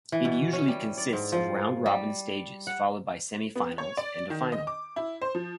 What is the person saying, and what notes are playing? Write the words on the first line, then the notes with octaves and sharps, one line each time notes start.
It usually consists of round-robin stages, followed by semi-finals and a final.
E3
B2
C#4
G3
D5
G#2
F3
G3
F#5
B3
C#5
D5
D#3
D#5
D6
E4
C5
F3